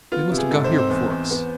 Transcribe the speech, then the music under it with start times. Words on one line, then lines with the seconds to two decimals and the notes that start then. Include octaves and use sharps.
"They must have got here before us."
0.12 B3 F4
0.31 C3
0.38 G#4
0.51 G#2 A4
0.64 C5
0.72 C4
0.78 C5
0.90 E2
1.10 E2
1.31 B3